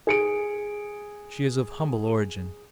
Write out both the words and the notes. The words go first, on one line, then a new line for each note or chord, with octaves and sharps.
She is of humble origin.
G#4 C#7 D7